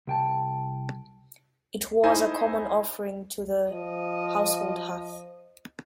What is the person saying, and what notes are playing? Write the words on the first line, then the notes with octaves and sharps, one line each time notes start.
It was a common offering to the household hearth.
C2 G5 A5
D#4 E4 C5 D#5 G#5
F3 D#5